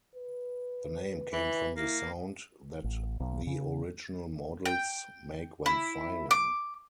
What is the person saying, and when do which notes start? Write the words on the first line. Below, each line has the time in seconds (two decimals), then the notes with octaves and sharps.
The name came from the sound that the original models make when firing.
0.15 B4
1.33 E3
1.77 A#3 E4
2.84 A1
3.20 B1
3.47 C#3
4.66 G5
5.66 E4
6.31 D6